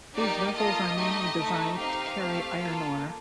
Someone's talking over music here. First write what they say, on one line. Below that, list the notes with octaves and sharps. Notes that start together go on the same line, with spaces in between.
These vessels are mainly designed to carry iron ore.
A#3 D#4 G4 D5
A#3 F4 A4 D#5
A3 D#4 G4
A3 D#4 A4
C4 D#4 G4 F5
A3 C4 G4
A#3 F4 A4